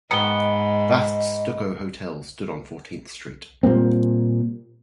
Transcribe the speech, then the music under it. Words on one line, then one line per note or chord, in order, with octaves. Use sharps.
Vast stucco hotels stood on Fourteenth Street...
G#2 D#3 B3 D#5 C#7 G7
A#2 G3 A#3 C4